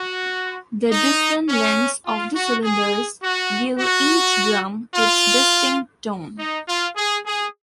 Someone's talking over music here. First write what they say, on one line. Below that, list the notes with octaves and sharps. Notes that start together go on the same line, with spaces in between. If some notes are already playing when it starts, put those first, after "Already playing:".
The different lengths of the cylinders give each drum its distinct tone.
Already playing: F#4
D#4
C#4
F4
F#4
G#4
F#4
F#4
F4
D#4
F4
G#4
G#4